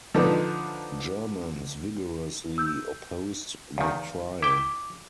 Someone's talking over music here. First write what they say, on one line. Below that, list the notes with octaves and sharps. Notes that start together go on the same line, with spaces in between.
Germans vigorously opposed the trial.
D3 F3 D4 D#4 B4
E6 G6
E2 D#3 F5
E4 G5 D6